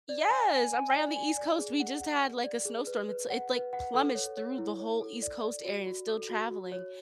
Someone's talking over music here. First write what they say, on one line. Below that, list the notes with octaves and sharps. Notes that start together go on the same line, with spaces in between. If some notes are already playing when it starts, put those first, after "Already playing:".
Yes, I'm right on the East Coast, we just had, like, a snowstorm, it's it, like, plumaged through the whole East Coast area and it's still traveling,
D5
G#5
G#5
G#5
D5
G#5
D5
G#4
F#5
F#5
F#5
D5
G#4
B4
B4
F#5
B4
F#5
A4
C#5
C#5
E4
C#5
A4
D5
D5
F#4
F#4
A4
F#4
F#4
C#5